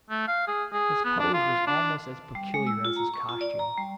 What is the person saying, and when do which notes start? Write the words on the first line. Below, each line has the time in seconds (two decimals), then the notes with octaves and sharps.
His pose was almost as peculiar as his costume.
0.10 A3
0.28 F5
0.47 G#4
0.72 G#4
1.04 B3
1.19 D4
1.34 F4
1.67 D4
2.35 G3
2.54 G#3
2.67 E6
2.85 F4
2.96 A#5
3.14 C#6
3.29 F4
3.41 D5
3.59 A#5
3.78 G3